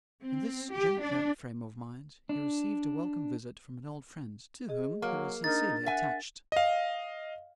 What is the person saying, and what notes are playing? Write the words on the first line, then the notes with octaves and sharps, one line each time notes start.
In this gentler frame of mind he received a welcome visit from an old friend, to whom he was sincerely attached.
C4
G4
D4
D4
G#4 D#5
F#3 A#3
D4 D#4 A#4 F6 A6
E5 F#5 G#5
D#5 F5